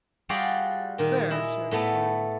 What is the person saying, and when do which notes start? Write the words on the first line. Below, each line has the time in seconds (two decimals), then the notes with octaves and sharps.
"There!" she exclaimed.
0.29 G3 F4 F#4 G#4 D5 F5
0.98 A#2 D#3
1.31 E4 G#4 D#5
1.71 A2 A3 B3 A4